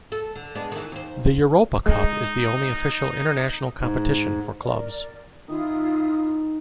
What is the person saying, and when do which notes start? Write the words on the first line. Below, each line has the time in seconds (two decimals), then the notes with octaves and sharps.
The Europa Cup is the only official international competition for clubs.
0.12 A4
0.35 D3
0.55 G#3 B3 D4
0.72 D#3 E3
0.92 D#2 C5
1.86 G#3 D#4
3.80 G#2
4.62 A#4 D5
5.48 D#3 E4 F4 D#6